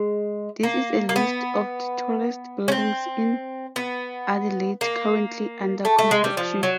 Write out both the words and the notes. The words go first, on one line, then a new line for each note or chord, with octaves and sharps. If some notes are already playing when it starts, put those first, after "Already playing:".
This is a list of the tallest buildings in Adelaide currently under construction.
Already playing: G#3
A#3
A#3
B3
C#4
C4
B3
A#3
A3
A3
G#3
G3
F3
F#3